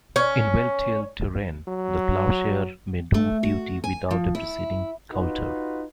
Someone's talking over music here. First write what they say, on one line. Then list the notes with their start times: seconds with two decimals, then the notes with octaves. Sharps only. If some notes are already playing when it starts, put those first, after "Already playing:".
In well-tilled terrain the plowshare may do duty without a preceding coulter.
0.16 C#4
1.68 F#3
3.14 A3
3.43 F#4
3.84 G#5
4.11 F3
4.35 E4
5.12 D#4 F4 F#4 B4